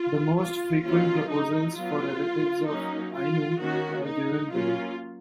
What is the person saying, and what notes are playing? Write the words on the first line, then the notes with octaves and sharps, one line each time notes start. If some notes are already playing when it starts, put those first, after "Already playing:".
The most frequent proposals for relatives of Ainu are given below.
Already playing: F4
F4
D#3 F#3 A#3 C#4 F4
D#4
F#3 B3 F4
F#3 A#3 C#4 D#4
F4
D#3 A#3 C#4 F#4
D#4
F#3 A#3 C#4 F4